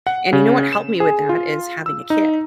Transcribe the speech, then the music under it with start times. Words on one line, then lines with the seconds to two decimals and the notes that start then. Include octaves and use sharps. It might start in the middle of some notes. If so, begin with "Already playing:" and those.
and you know what helped me with that is having a kid.
0.07 F#5
0.33 C#3
0.73 E7
1.00 G#4
1.29 F4
1.86 E6
2.10 D#4